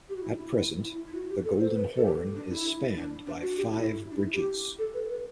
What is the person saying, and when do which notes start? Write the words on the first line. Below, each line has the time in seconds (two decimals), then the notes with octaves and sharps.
At present, the Golden Horn is spanned by five bridges.
0.09 G4
0.16 F#4
0.23 E4
0.33 D4
0.39 E4
0.84 E4
1.07 E4
1.14 F#4
1.30 G4
1.44 A4
1.60 C5
1.75 B4
1.96 A4
2.05 G4
2.36 D4
2.51 E4
2.96 D4
3.26 D4
3.42 F#4
3.57 G4
3.72 E4
4.11 D4
4.18 E4
4.33 G4
4.78 A4
4.94 B4
5.08 B4